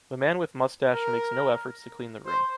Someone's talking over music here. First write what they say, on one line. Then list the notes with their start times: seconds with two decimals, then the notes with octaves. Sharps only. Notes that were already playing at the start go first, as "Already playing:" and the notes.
The man with mustache makes no efforts to clean the room.
0.93 A#4
2.26 C5